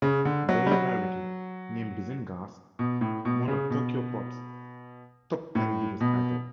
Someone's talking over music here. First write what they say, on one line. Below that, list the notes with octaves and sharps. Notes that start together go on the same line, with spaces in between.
"Daily Variety" named "Bizenghast" one of Tokyopop's top ten biggest titles.
C#3
D3
F#3
G3
F#3
B2
A2
B2
C#3
B2
A2
B2